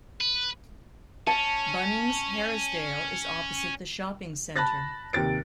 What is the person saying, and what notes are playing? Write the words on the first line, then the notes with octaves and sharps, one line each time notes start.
Bunnings Harrisdale is opposite the shopping centre.
B4
C#4 A5
A5 B5 F#6 A6 A#6
D#2 C3 A6 D7